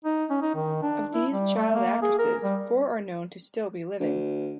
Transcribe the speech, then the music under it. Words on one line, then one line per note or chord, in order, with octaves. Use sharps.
Of these child actresses, four are known to still be living.
D#4
C#4
D#4
D#3
D4
E4
G3
A3
A#3
G#4
A#4
G3
D2